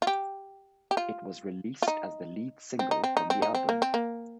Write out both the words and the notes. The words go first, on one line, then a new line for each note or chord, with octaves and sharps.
It was released as the lead single from the album.
F4
G4
G4
F4
F4
D#4
C4
D#4
C4
D#4
C4
D#4
C4
A#3
C4
A#3